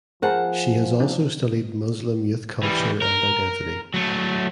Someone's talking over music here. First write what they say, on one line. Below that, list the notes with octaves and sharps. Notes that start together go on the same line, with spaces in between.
She has also studied Muslim youth culture and identity.
F3 G#4 A#4 C5 F#5 A5
C4 D4 D#4
E3 G3
A#4
F#3 A3